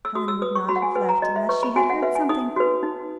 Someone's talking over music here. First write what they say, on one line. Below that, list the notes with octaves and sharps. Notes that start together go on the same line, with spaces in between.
Helen would not have left unless she had heard something.
E6
F#4 D#6
E6
B4 D#6
C#6
F#4 B5
F#5
G#5
B4 G#5
A#5
F#4 D#5
E5
B4 C#6
B5
F#4 G#5
F#5
B4 E5
G#5
D#4 D#6
F#4 B4
D#4